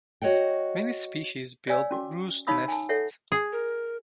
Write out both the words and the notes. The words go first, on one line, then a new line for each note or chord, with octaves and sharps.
Many species build roost nests.
F#4 C#5 D#5 F#5 G5
C#5 D5 F5 G#5 E6
C#4 F#4 D6
D#4 C#5 F5 B5 D#6 E6
G#5 A5
A4 C#5 E5 F#5
G#4
A#4